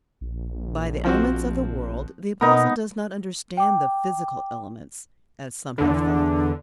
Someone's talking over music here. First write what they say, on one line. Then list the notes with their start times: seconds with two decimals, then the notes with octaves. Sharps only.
By the elements of the world the Apostle does not understand the physical elements, as some have thought.
0.21 A#1
1.04 F3 C4 F#4
2.41 B2 B3 D#4 A#4
3.57 G5 D6
5.78 E2 D3 D4